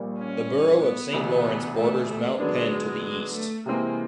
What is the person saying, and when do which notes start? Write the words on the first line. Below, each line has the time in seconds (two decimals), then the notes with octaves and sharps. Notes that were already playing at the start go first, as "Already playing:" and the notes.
The borough of Saint Lawrence borders Mount Penn to the east.
Already playing: A#1 A#2 G3
0.19 C#4
0.82 B3
1.13 E1 D2 C3
1.76 A3
2.08 A3
2.39 D3 F#3 G#3 B3 D4
3.34 A3
3.66 C3 E3 G#3 A#3 C4